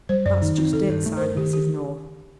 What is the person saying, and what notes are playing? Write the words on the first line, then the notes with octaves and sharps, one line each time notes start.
"That's just it," sighed Mrs. North.
G3 C5
F#2 D5
D#3 D#4
C4 D#4
D#3 A4
G2
A3
C5
G2 A#4
D#3 G4
G4